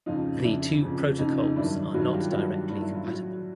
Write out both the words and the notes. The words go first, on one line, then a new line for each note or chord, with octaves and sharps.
The two protocols are not directly compatible.
F2 C#3 F3 D#4 F4
F2 C#3 F3 D4 E4
F2 C#3 F3
F2 C#3 F3 D#4
D#4
G2 D#3 F#3 D4 E4
G2 D#3 F#3 E4 F#4
F4 G4
F4
G2 D#3 F#3 E4 F#4
G2 D#3 F#3
E4
F4
A2 F#3 E4 F#4